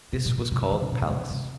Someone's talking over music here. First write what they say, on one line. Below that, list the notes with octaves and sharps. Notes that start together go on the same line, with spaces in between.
This was called Pallas.
C3
A#2
A#2
C3
C#3
D#3
C#3
A#2
G#2
C3
C#3
C3